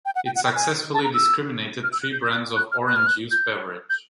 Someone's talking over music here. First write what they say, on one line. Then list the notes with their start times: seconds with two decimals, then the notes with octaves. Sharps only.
It successfully discriminated three brands of orange juice beverage.
0.05 G5
0.15 F#5
0.26 G5
0.36 F#5
0.44 G5
0.56 G#5
0.94 A5
1.04 A#5
1.14 E6
1.83 F6
1.92 E6
2.03 F#6
2.12 G6
2.22 G6
2.32 F#6
2.56 F#6
2.72 F6
2.86 F#6
2.96 F6
3.07 F#6
3.31 G6
3.90 G6